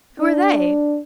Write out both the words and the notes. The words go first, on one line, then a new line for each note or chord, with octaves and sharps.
"Who are they?"
D4